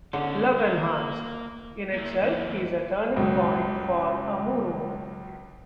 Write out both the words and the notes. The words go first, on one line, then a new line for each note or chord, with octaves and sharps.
"Love Enhanced" in itself is a turning point for Amuro.
D3 C#4 D#4
A#3 A#4
A#3 E4
F#2 E3 A#3
C#2 F#2 B2